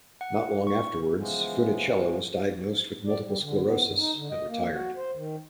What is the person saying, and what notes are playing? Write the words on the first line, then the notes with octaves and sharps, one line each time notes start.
Not long afterwards, Funicello was diagnosed with multiple sclerosis and retired.
F#5
C#6
C#3 E3 F3 G#3 B3 C#4
D5
G3
D3
B3
G2
D#4
D3
D#5
A#3
F#4
C5
D#3